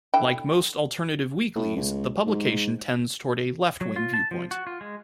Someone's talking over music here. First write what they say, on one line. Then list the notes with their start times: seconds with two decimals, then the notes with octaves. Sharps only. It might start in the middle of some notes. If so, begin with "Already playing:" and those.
Like most alternative weeklies, the publication tends toward a left-wing viewpoint.
0.14 D3 E4 G5
1.55 A2
1.76 C#2
2.26 G#2
3.81 F#3
3.96 F4
4.14 A5
4.31 F3
4.51 F#4
4.67 F4
4.81 G#3